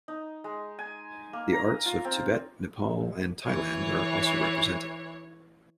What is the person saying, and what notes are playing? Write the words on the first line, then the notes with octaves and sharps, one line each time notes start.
The arts of Tibet, Nepal, and Thailand are also represented.
D#4
G#3
G#5
A#3
A#5
F4
C4
E3 C#5